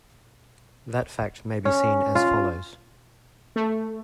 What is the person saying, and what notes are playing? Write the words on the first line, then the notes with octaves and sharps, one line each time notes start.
That fact may be seen as follows.
C#4
F4
A3